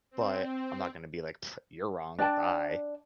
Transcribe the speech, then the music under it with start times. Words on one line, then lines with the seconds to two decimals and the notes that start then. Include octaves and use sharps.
but I'm not gonna be like, "Pfft, you're wrong, bye."
0.11 C4
2.19 D4 D5 G5 A5